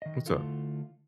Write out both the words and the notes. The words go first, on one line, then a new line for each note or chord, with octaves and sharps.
What's up?
D#3 D#5
D3 A3 E4 F4 A4